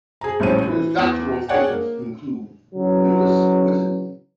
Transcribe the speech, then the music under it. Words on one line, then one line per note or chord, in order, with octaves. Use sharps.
His doctoral students include Louis Witten.
G#4 A#5
A#1 A2 G3 C#4 D#7
E3
E2
G#4 C#5 D5 F#5 G5
A#3
C#3 E3 F#3